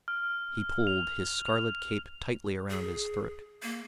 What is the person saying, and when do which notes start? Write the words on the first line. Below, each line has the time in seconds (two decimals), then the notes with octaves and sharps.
He pulled his scarlet cape tightly around his throat.
0.08 F6
0.87 F7
1.46 F7
2.70 G#4
3.62 A#3